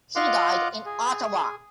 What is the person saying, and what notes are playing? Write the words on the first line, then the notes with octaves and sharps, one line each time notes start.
He died in Ottawa.
F4 D#5 F5 F#5 C6 D6
G#4